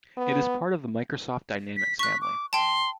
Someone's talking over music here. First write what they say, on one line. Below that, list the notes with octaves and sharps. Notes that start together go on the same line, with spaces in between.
It is part of the Microsoft Dynamics family.
B3
B6
C#6 F#6 B6
D6
G5 A5 C6